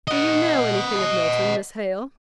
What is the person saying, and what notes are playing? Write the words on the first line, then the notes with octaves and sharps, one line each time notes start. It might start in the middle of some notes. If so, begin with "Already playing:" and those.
'Do you know anything of Milton, Miss Hale?
D#5 F#5